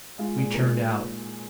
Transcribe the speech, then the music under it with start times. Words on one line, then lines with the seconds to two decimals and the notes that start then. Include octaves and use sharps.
We turned out.
0.18 G#3 F4 F5
0.37 A#2 G#4
0.54 A#2 A#4